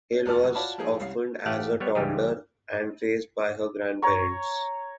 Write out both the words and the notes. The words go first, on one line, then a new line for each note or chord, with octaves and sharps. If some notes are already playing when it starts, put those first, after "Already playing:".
Hill was orphaned as a toddler and raised by her grandparents.
C#4
F1 E2 A4 D5 A5 F6
F#2 F#4
F4 F#4 C#5 D5 A5 B5
F3 A#3 D#4 G#4 A4
C2 G3 C#4 F5 C7
A1 A3 G4 F5 F#5
G3 B3 C#5
C#2 E3 G3 G4 G#4
C#5 A#5 C#6